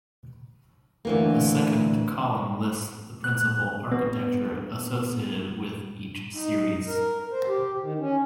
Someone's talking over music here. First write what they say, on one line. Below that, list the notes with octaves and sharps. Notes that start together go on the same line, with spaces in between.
The second column lists the principal architecture associated with each series.
D2 E3 A#3
F#6
B3
D#4
A#4
C5
G4
D#3
C#4